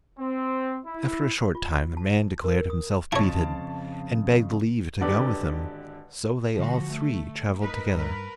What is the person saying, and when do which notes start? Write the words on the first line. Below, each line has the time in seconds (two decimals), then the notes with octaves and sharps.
After a short time the man declared himself beaten, and begged leave to go with them; so they all three travelled together.
0.19 C4
0.85 E4
1.55 F4
1.97 A5
2.44 A#4
2.70 D#6
3.12 F2 C#3 E4 C#5 A5
5.01 G#1 D3 G4 B4 D5
6.57 D3 F3 G3 F#4
6.90 A3
7.62 D#4 A#4 B4
7.95 G2 A#4 B4